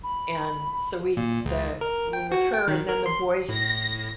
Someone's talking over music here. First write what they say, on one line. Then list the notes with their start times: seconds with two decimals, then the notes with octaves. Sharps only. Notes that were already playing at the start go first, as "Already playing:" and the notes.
And so we the were with her and then the boys
0.04 B5
1.17 A#2
1.45 C#2
1.81 A#4
2.13 G5
2.32 F#4
2.54 G5
2.68 D#3
2.89 A#4
3.06 C6
3.49 A2 A#6